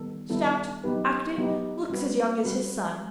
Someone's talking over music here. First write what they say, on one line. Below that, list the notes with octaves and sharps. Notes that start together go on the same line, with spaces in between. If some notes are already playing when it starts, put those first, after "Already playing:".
Stout, active--looks as young as his son.
Already playing: D#3 G3 B3 A4
D#3 G3 B3 E4 A4
F#3 B3 D#4 G4 B4
F#3 B3 D#4 G4 B4
G3 C4 F#4 B4
G3 C4 F#4 B4